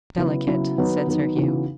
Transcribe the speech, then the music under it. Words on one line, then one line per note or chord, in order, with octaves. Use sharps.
"Delicate!" said Sir Hugh.
C#3 F#3 B3 E4
C#3 F#3 B3 E4
D#3 F#3 B3 D#4
D#3 F#3 B3 D#4
C#3 E3 B3 D#4 F#4